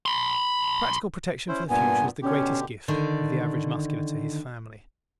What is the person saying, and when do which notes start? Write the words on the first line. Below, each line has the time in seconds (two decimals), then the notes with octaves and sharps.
Practical protection for the future is the greatest gift of the average Muscular to his family.
0.06 B5 C6
1.48 C#4 E4 C5
1.70 G2 A#2 B3 G#5
2.22 B2 D3 C#4 G4
2.88 D3 D#3 D5